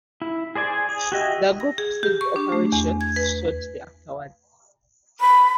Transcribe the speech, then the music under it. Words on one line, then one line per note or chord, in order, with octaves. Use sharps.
The group ceased operations shortly afterwards.
E4
G#4 C5 D5 G#5
G#4
F#4 G4 D#5 E5
A#6
G#4
G4
C#6
D4
A3
E2
G#6
B4
B5